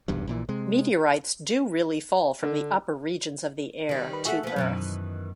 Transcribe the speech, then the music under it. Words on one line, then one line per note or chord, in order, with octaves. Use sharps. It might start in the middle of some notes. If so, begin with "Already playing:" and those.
Meteorites do really fall from the upper regions of the air to earth.
F1 B1 E2 G2
A#1 A#2 E3
C3 G#3
D3
D#3 G3
B4
A3 F#4 G#4 E5 F#5
F3 B3
F#2 B2 D#3 E3